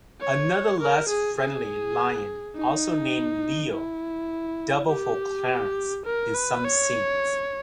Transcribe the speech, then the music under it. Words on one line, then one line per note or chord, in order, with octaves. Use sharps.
Another less-friendly lion, also named Leo, doubled for Clarence in some scenes.
C#5
A#4
G#4
G#4
D#4
E4
G4
A#4
B4
C#5